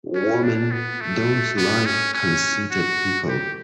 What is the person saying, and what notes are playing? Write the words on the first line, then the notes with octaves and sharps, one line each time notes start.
Women don't like conceited people.
C#4
D4
B3
A3
B3
C#4
C#4
F#4
G4